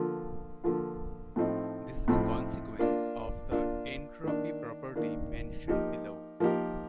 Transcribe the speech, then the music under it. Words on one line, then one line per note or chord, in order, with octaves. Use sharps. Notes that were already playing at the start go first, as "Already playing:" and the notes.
This is a consequence of the entropy property mentioned below.
Already playing: D3 F3 A#3 F4
D3 F3 A#3 F4
A2 F3 A3 C4 D#4
A2 F3 A3 C4 D#4
A#3 D4 F4
A#3 D4 F4
D#3 A#3 D4
D#3 A#3 D4
F3 A#3 D#4 G4 A#4
F3 A#3 D#4 G4 A#4